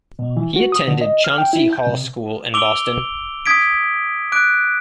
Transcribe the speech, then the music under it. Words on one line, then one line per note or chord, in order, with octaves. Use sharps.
He attended Chauncy Hall School in Boston.
B2
E3
F#4
D#6
D3
D#5
F6
G5
E4
G6
C3
D6 E6 D7 F7 G7
D#6 G#6 B6 D7
D6 F#6 D7